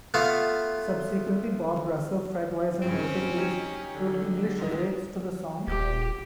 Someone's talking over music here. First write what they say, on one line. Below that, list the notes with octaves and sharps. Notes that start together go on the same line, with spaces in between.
Subsequently, Bob Russell, Fred Wise and Milton Leeds wrote English lyrics to the song.
A3 B3 F4 E5 F5
G2 C#3 C4 C#4
F#3 D#4 G4
D3
G#2 D#5
D#1 G4